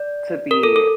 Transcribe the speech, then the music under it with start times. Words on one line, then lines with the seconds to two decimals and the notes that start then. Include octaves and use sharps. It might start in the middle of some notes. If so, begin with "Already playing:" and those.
to be
Already playing: D5
0.51 A#4
0.63 A4
0.76 A4